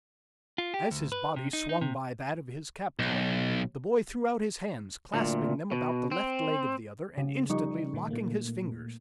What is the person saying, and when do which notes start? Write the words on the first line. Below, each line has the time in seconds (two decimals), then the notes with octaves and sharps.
As his body swung by that of his captor, the boy threw out his hands, clasping them about the left leg of the other and instantly locking his fingers.
0.58 F4
0.74 G4
0.91 D2
1.12 B4
1.36 C3
1.53 D#4
1.69 D#4
1.81 C3
2.99 B1
5.14 D2 A#2
5.72 B2
6.12 C4
7.17 C#3
7.50 F3 G3 D#4 C#6
7.94 A#2 D#3 A#3
8.11 A#2 A3 A#3